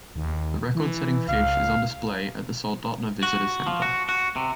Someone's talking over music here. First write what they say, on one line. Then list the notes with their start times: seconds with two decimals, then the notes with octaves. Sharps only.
The record-setting fish is on display at the Soldotna Visitor Center.
0.16 D#2
0.75 E3
1.28 C#2 F5
3.23 F#4
3.67 F3
3.82 F#4
4.09 F#4
4.36 C3